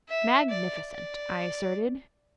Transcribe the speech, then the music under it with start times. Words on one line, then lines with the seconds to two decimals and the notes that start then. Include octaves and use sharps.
"Magnificent!" I asserted.
0.09 E5
0.49 D5
0.90 D5